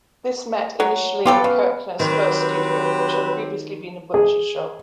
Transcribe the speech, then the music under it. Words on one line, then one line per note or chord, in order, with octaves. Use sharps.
This met initially in Kirchner's first studio, which had previously been a butcher's shop.
F#3
B3 F4 G4 A4 B4
C#3 F5
D#3 F#3 C4 G4 B4
G#4